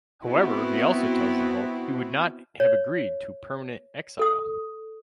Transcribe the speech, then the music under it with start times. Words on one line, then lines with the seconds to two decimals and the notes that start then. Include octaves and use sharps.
However, he also tells the Hulk he would not have agreed to permanent exile.
0.24 B3 C4 E4 F#4
2.60 C#5
4.19 A4 D#6